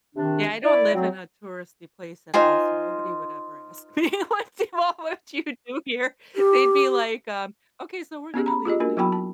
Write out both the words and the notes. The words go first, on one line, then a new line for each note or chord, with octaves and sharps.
Yeah, I don't live in a touristy place at all, so nobody would ever ask me, "What do all what you do here?" they'd be like, um, "Okay, so we're gonna leave now."
C3 D#3 D4
E4 D5
F#3 C4
D#4 F4 C5 G#5
G4
B3 C#4 G4 G#4
A#5 B5
F4 G4 G#4 D#5
A#3 D4 F#4 A#4
F#3 B3 E4 F#4 G5 B5
A5